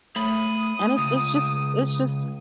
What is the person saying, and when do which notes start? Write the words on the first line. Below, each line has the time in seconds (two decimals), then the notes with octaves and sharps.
and it's just it's just
0.16 A3 B5 D#6
0.98 C#2